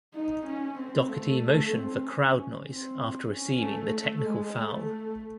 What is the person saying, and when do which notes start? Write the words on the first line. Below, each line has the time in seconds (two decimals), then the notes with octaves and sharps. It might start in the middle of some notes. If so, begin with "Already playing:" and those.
Doherty motioned for crowd noise after receiving the technical foul.
0.14 D#4
0.46 C#4
0.78 C4
1.10 A3
1.73 C4
2.04 C#4
2.69 C4
3.32 C#4
3.63 A3
3.95 A3
4.26 G#3
4.59 A3